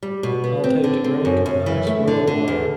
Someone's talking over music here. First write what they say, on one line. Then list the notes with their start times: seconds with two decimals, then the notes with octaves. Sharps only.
I'll take a drink of nice well-water.
0.03 G3
0.23 B2
0.44 B3
0.64 C4
0.84 D3
1.04 C4
1.25 F#2
1.46 F#2
1.66 E3
1.87 A3
2.07 D3
2.27 D3
2.48 E2